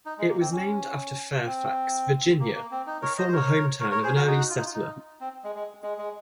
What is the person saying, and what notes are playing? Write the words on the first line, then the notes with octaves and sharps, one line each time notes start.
It was named after Fairfax, Virginia, the former hometown of an early settler.
D#4
G#3
A#3
C4
C#4
C4
A#3
A#3
C4
D#4
A#4 C#5
C5 D#5
C5
A#4 C#5
A#4 C#5
A#4 C#5
G#4 C5
F#4 A#4
D#4 F#4
F4
D#4
F4
D#4
C4
G#3
G#3
G#3
G#3